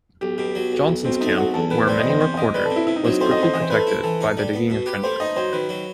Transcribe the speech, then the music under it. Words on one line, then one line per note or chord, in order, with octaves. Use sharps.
Johnson's camp, where many were quartered, was quickly protected by the digging of trenches.
B1 G4
B2 G4
F#3
B1
B1
B2 C4
A3 D#4
B1 F#4
E2 A4
D#3 B4
G3 C5
D#5
E2
C5
C3 C5
D#3 D#5
G3 B4
A4
C3
E4
C3 E4
D#4
F#3 C4
D#4
A3 C5
D#5
C3
C5
E3 D#5
C5
A3 B4
A4
E4
E3 A4
D#4
G3
B3
B2
G4 B4
A3 C5
D#4 D#5
F#3 C5
D#3 B4
F#3